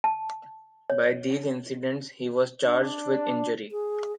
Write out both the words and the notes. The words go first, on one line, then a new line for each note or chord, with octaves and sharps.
By these incidents he was charged with injury.
A5
C#5
D4
G#4